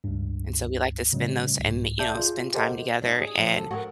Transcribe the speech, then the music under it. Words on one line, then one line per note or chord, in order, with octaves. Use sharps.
and so we like to spend those in, you know, spend time together and
C#2 G2
A2 C#3 F#3 G#3 C#4
C2 G#2
D5 E5 A5 G6
F4 G#4
G4 A4 A#4 C5 D#5 F#5
D4 D#4
G#4
F3
A4
F#4 G#4 A#4